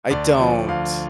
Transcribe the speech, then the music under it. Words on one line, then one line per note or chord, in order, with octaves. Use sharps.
I don't.
D2 D5
F3
D2 F5